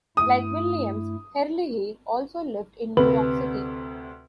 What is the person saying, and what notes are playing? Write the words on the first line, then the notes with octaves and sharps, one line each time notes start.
Like Williams, Herlihy also lived in New York City.
G2 A3 E4 D#6
D2 C3 B4